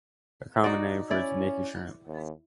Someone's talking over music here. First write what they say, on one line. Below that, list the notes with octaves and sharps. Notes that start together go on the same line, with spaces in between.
A common name for it is nika shrimp.
D#4 F#4 D5
C#4 E4 D5
D#2